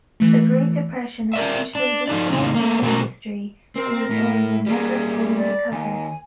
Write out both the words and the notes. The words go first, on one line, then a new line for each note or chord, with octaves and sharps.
The Great Depression essentially destroyed this industry and the area never fully recovered.
E3 A3
A#4 D5 E5
D4
F3 D#4 D5
A2 C#3 C4 D#4
A3 A#3
B2 F#3 C4 C#4 A#4
C4 A#4 C5
A2
G3 A#3 G#4
D5
D#2 G#5